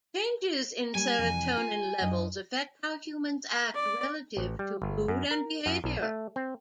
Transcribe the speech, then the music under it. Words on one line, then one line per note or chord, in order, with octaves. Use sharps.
Changes in serotonin levels affect how humans act relative to mood and behavior.
G3 A#3 G#5
F2 C3 E3
F4
F#2 D4 D#5
D5
A1
G3
G1
F#2
A#4
F#2
B1
A3
C4